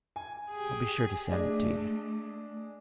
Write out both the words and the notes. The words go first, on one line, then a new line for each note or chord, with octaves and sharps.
I'll be sure to send it to you.
G#5
G4 G#4
A3 D4 G#4 D#5